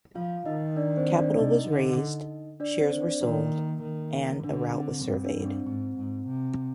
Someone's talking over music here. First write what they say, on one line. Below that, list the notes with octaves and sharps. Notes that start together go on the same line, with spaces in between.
Capital was raised, shares were sold, and a route was surveyed.
F3 F4 F5
D#3 D#4 D#5
D4 D5
C4 C5
D4 D5
C3 D#4 D#5
D3
D4 D5
C4 C5
D4 D5
D#3 A#3 A#4
D#3
D3 D4
C4
G2 C4
D4
G2
C4
G#2 C4
G#2
C3